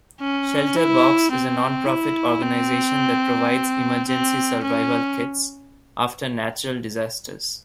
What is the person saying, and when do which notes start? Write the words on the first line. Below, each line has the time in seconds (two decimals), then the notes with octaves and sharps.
Shelter Box is a non-profit organization that provides emergency survival kits after natural disasters.
0.21 C#4
0.76 E4
1.31 C4
1.86 E4
2.42 C4
4.08 C4
4.63 C#4